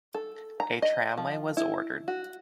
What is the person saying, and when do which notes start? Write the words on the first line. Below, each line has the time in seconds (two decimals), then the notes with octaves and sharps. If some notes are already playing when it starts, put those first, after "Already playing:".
A tramway was ordered.
0.14 A4
0.60 A#5
0.82 D#5
1.17 F3
1.57 E4
2.08 F#4